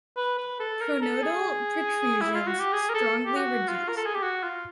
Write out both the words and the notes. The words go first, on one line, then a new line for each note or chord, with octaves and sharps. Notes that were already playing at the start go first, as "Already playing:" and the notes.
Pronotal protrusions strongly reduced.
B4
B4
A4
A#4
A4
G#4
E4
F4
F#4
G4
G#4
A#4
A4
G4
F#4
F4
A#4
A4
G#4
G4
F#4
F4